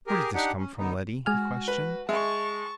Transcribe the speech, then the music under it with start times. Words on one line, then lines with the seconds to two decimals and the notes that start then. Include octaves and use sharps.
"Where did this come from, Letty?" he questioned.
0.07 G4 G#4 A#4
0.34 D4 D#4 G4 F#5
0.58 C#4
0.78 D3 B3 D#4
1.26 G#3 F#4 G#5 F6
1.68 B4
2.09 G#3 E5 A5 C#6